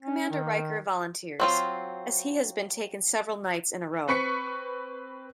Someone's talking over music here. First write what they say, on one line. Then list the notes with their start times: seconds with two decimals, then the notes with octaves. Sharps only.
Commander Riker volunteers, as he has been taken several nights in a row.
0.03 C#4
0.31 D#3
1.40 F#3 C4 F4
4.08 C4 B4 C#6 B6 C#7